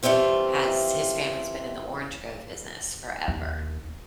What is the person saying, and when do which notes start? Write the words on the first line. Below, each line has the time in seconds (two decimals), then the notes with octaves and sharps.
has his family's been in the orange grove business forever.
0.03 E3 G3 A3 C4 F4
3.28 D#2